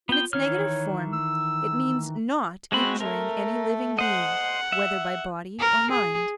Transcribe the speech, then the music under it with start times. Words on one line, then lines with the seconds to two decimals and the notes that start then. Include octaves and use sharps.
In its negative form it means not injuring any living being whether by body or mind.
0.09 B3 F4 G5
0.33 D#3 E3 C#5 F6
1.13 E6
2.72 G#3 C4 F#4 B5
3.00 A3 A#4
3.99 C5 D#5 F#5
4.72 E5
5.59 A#4
5.91 G#4